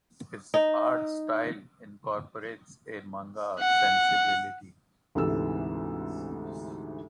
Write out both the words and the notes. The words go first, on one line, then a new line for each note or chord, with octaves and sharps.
His art style incorporates a manga sensibility.
D#4
F#5
D2 G#2 C3 E3 A4 E6